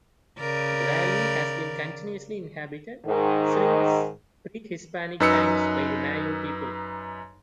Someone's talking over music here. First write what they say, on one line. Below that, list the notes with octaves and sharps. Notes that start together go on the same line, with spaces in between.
The valley has been continuously inhabited since pre-Hispanic times by the Mayo people.
C#3 A#4 D5
G#2 D#3
F#2 D#4 B4 E6 C#7